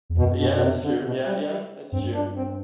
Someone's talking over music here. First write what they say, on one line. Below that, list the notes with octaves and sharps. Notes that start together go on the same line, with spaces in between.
Yeah, that's true, yeah, yeah, that's true.
E2
F#2 B2
B2
B2
C3
D3
B2
G3
G3
G2 C4
D4
C4